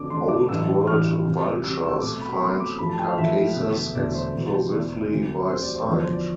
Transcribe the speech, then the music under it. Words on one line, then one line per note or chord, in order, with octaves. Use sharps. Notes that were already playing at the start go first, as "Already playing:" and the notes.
Old World vultures find carcasses exclusively by sight.
Already playing: F2 D3 A3 D4 D6
F2 D3 A3 D4 C6
D6
A1 G2 E3 G3 D4 E6
A1 G2 E3 G3 D4 F6
F2 C3 G3
F2 C3 G3 E6
E6
B1 B2 A3 C4 D6
B5
B5
B1 B2 A3 C4 C6
D6
G2 F3 A3 B5
A5
G5
F5
G2 F3 A3 E5
E1 E2 D3 A3
E1 E2 D3 A3 D5
C5
E1 E2 B2
E1 E2 B2 D5
D2 D3 G3 C4
D2 D3 G3 C4 C5
D5
C5
E2 D3 F3 D5
C5
D5